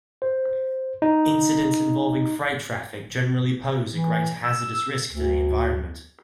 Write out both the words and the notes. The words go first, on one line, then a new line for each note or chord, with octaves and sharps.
Incidents involving freight traffic generally pose a greater hazardous risk to the environment.
C5
D#4
E3
E6
D2